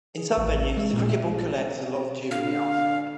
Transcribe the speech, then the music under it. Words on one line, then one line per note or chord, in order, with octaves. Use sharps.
In some venues, the cricket ball collects a lot of dew in the outfield.
G#4
A1
G#3
A#2
E5
D3 F5